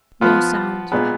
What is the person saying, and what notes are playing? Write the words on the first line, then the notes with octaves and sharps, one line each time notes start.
No sound.
F3 B3 F4
A#2 G#3 B3